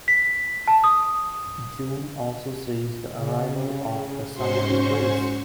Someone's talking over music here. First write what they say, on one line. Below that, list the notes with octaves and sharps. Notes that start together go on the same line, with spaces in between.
June also sees the arrival of the summer grilse.
B6
A5
D#6
C#3
G#2 C#4 F#4 C5 C6 C#6